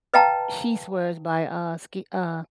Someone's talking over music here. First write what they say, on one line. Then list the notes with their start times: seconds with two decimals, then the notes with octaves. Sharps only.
she swears by, uh, ski uh,
0.14 B4 D#5 F5 G5 A5 A#5